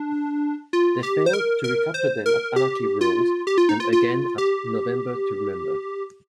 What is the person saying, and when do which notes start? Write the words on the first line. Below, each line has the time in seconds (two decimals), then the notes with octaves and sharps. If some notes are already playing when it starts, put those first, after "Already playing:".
They failed to recapture them at Anarchy Rulz and again at November to Remember.
Already playing: D4
0.73 F4
1.03 G4
1.26 C5
1.33 A#4
1.64 A#4
1.94 C5
2.26 A#4
2.56 G4
3.01 F4
3.47 G4
3.58 F4
3.69 D#4
3.80 F4
3.93 F4
4.38 G4